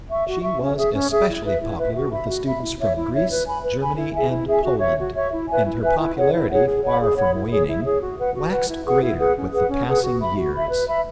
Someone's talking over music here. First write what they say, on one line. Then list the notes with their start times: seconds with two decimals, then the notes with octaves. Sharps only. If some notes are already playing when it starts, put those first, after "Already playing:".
She was especially popular with the students from Greece, Germany and Poland, and her popularity, far from waning, waxed greater with the passing years.
0.11 E5 C#6
0.27 F#4
0.43 E5 C#6
0.61 C#4
0.78 G#4 E5
0.94 C#4
1.12 G#4 E5
1.29 E4
1.45 B4 E5
1.61 E4
1.78 B4 E5
1.95 F#4
2.12 E5 B5
2.29 F#4
2.45 E5 B5
2.63 E4
2.80 C#5 E5
2.96 E4
3.13 C#5 E5
3.30 B4
3.46 G#5 B5
3.63 B4
3.81 G#5 B5
3.98 E4
4.13 G#4 E5 G#5
4.31 E4
4.48 G#4 E5 G#5
4.64 F#4
4.81 C#5 E5 C#6
4.98 F#4
5.15 C#5 E5 C#6
5.31 E4
5.48 B4 E5 G#5
5.65 E4
5.82 B4 E5 G#5
5.99 E4
6.16 G#4 C#5 F#5
6.33 E4
6.50 G#4 C#5 F#5
6.66 G#4
6.83 C#5 F#5 B5
7.00 G#4
7.18 C#5 F#5 B5
7.34 E4
7.51 G#4 C#5
7.67 E4
7.84 G#4 C#5
8.01 F#4
8.18 B4 F#5
8.35 F#4
8.51 B4 F#5
8.68 E4
8.85 G#4 B4 F#5
9.02 E4
9.19 G#4 B4 F#5
9.36 C#4
9.52 G#4 B4 F#5
9.69 C#4
9.87 G#4 B4 F#5
10.03 F#4
10.20 E5 B5
10.36 F#4
10.54 E5 B5
10.70 B4
10.87 E5 B5